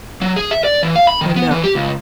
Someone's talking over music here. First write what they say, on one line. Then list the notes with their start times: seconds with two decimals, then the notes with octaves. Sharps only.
or no?
0.22 F#3
0.36 G#4
0.51 E5
0.64 D5
0.83 E3
0.96 F5
1.07 B5
1.21 D#3
1.36 B3
1.51 E3
1.64 G4
1.75 C#2